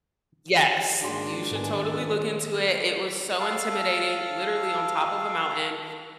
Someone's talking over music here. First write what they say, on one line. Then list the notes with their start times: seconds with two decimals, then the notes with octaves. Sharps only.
Yes. You should totally look into it. It was so intimidating, literally on top of a mountain,
1.01 G#2 D#3 G#3 A#3 D4 F#4 G#4 C6
1.51 G#2 D#3 G#3 A#3 B3 A4 G#5
1.84 A#2 F3 C#4 D#5 E6
3.40 A4 F5